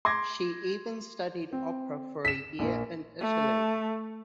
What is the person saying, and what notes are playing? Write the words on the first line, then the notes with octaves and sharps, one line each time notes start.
She even studied opera for a year in Italy.
C6 D6 G#6 A#6
C4
B6 E7
A#1 A#3
A3